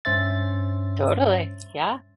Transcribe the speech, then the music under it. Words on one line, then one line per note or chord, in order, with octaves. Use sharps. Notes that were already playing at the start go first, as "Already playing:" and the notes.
Totally. Yeah.
G2 C#4 C5 E5 A6